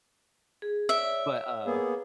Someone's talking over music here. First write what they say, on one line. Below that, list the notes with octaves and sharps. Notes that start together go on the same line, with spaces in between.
But, uh,
G#4
C#5 D5 E5
C#5 E6
A#3 B3 G#4